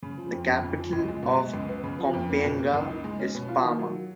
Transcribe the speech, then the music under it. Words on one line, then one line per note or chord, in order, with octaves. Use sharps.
The capital of Kompienga is Pama.
C#3
F3
F2
F2
C#3
F3
C#2
G#3
B2
G#3
C#2
B3
C#3
F3
F2
A#3
B2
A#3
C#2
D#4
G#3
C#4
B2
F4
D#3
F#3